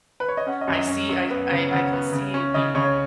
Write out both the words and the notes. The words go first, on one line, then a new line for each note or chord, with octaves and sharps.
I see I I I can see, you know,
B4
C#5
D#5
C#4 F#5
D#5
F#2
D#5
C#4
F#2
B3
C#3
C#3 F#5
B3
C#3
C#4
C#3 D#5
C#3 C#5